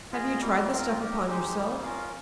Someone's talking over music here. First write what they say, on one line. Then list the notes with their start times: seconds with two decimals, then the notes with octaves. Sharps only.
"Have you tried the stuff upon yourself?"
0.12 F4 G#4 D#5
0.40 G3 A#3 F4
0.70 C4 F4 A#4
0.98 D#4 G4 A#4
1.27 G#3 D#4 G4 C5
1.56 G3 A#3 D#4
1.84 C#4 F4 A#4 F5